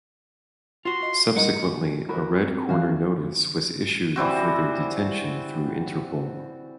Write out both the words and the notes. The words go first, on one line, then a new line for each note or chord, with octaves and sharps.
Subsequently a red-corner notice was issued for their detention through Interpol.
F4 F#4 C6
D#5
G3 G#3 A#3 D#4 F#5
F#4 A#4 B5
C4
E3 F#4 F5
E3 G3 C4 F#4